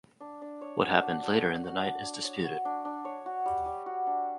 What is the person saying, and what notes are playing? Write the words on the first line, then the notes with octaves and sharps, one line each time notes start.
What happened later in the night is disputed.
D4
D4
C#5
F#4
D4
D4
C#5
F#4
D4
D4
C#5
F#4
D4
D4
C#5
F#4
G3
G3
F#4
D4